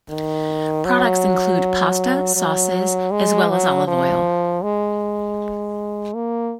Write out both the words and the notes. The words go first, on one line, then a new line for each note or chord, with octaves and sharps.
Products include pasta, sauces, as well as olive oil.
D#3
F#3
F#3
G#3
F#3
F3
G#3
A#3